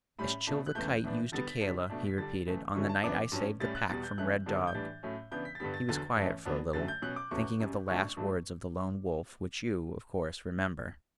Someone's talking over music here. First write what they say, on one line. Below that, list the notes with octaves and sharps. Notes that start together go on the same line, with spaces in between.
"As Chil the Kite used Akela," he repeated, "on the night I saved the Pack from Red Dog." He was quiet for a little, thinking of the last words of the Lone Wolf, which you, of course, remember.
A2 G3 C#4 B5
B2 A3 D4
F#6
E2 C#3 E3 A3 G6
A2 E3 B3 D4
D3 G3 B3 D4 A6
B6
C#3 G3 D4 B6
B2 A3 D4
B6
D3 G3 D4 A6
C#3 E3 A3
F#2 D3 F#3 A3 C#4 C#6
A5
F#2 E3 B3 D4 D6
G2 F#3 C#4
A2 G3 C#4 A6
F#6
E2 B2 G3 A6
G6
F#2 E3 A3 C#4 F#6
G2 D3 G3 B3 D4
G6
A2 E3 G3 D4 A6
A2 F#3 A3 C#4
C#3 E3 B3 D4 G6
B6
A6
G2 D3 G3 B3 B6
A6
E2 D3 F#3 A6
G2 E3 A3 C#4
D3 F#3 B3 D4
F#2 D3 F#3 A3 A6
G6
B2 F#3 C#4 F#6
D6
E2 C#3 F#3 A3 C#4 C#6
F#2 C#3 G3
F#2 C#3 F#3 A3 D4 C#6
G2 F#3 A3 D4